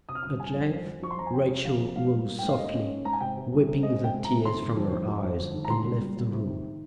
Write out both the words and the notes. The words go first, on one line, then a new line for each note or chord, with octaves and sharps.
At length Rachel rose softly, wiping the tears from her eyes, and left the room.
C3 D#6
F6
G1 D#6
G1 G#5
F2
F2
F2
F3 C#6
C6
F2 A#5
G#5
C3 G5
C3
F2 F5
F2
G#2 F5
G3
A#3
G#2 G5
F5
A#3 D#5
C#4
G#2
G#2 A#5
G#5
C3 G5
C3
C2
C3
G#3 D#5
C3
G5
G#3
A#5
C3
D#3 C6
G1
F2
D#3
F2
F2
G1
D#3
A#5
C#2 C6
G3
G3
C#2
C3
D#3